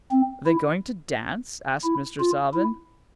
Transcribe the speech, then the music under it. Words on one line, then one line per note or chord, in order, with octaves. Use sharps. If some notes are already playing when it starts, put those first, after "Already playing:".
"Are they going to dance?" asked Mr. Salvin.
C4
E4
E4
F4
E4